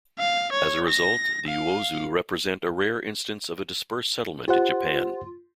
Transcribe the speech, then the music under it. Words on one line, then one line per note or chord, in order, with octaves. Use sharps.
As result, the Uozu represent a rare instance of a Dispersed settlement in Japan.
F5
C#5
A#6
F5
F4 G4 C5 F#5